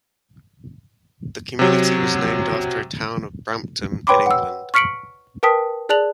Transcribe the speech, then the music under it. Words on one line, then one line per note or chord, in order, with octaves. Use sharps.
The community was named after the town of Brampton, in England.
C3 F#3
B4 C#5 G5 B5 C6 D6
F#5 E6
C#6 F6 B6 C#7 D7 F#7
A#4 B4 G5 A5 D#6 B6
G#4 D5 A5 F#6 F7 F#7